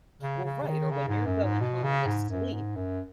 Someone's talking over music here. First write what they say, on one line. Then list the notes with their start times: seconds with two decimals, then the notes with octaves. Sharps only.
Well, right, or when you're going home to sleep,
0.21 C#3
0.45 C#3
0.63 C#3
0.68 D#3
0.91 C#3
1.09 G#2
1.26 F#2
1.44 G#2
1.61 B2
1.84 C#3
2.07 G#2
2.30 F#2
2.53 G#2
2.76 F#2